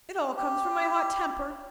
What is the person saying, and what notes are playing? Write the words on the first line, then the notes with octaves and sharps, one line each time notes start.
'It all comes from my hot temper!
G4